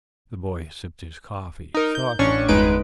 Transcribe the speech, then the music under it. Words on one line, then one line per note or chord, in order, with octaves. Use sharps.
The boy sipped his coffee thoughtfully.
D#4 A#4
G6
A1 C#4 D4 C#6
G1 E2 G#3 D#4 B4 D7